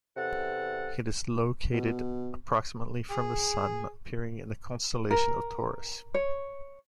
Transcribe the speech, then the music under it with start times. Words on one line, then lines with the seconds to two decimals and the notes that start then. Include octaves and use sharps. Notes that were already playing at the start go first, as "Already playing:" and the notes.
It is located approximately from the Sun, appearing in the constellation of Taurus.
0.17 E2 C3 A4 F#5
1.73 B2
3.11 G#4
5.11 A#4
6.14 C#5